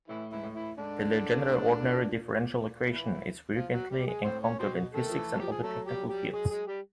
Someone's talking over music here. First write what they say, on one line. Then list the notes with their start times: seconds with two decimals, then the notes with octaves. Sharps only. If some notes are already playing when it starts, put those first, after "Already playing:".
The Legendre ordinary differential equation is frequently encountered in physics and other technical fields.
0.08 A2 E3 E4
0.31 G#2 E3 E4
0.43 A2
0.54 E3 E4
0.78 G#2 D3 D4
1.48 A2
1.82 A#2
2.86 E3 E4
3.55 F3 F4
3.73 F#3 F#4
3.90 G3 G4
4.07 G#3 G#4
4.24 A2 C4 C5
4.42 C#4 C#5
4.59 B2 C4 C5
4.94 D#3 A3 A4
5.09 F3
5.17 E3
5.34 F#3
5.39 F3 G4
5.51 G#4
5.63 F#3 A3 A4
5.87 G3 G4
6.09 G3 G4
6.33 G#3 G#4
6.50 G#3 G#4
6.67 G3 G4